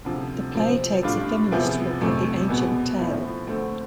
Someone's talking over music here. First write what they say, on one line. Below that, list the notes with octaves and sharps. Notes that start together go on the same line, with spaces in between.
The play takes a feminist look at the ancient tale.
D2 C3 F3
C3 F3 C4
A2 G3 D4 F4
E2 C3 F3 B3 E4
F2 C3 F3 A3
E2 B2 B3
A2 F3 C4 E4 A4
D2 D3 A3 C4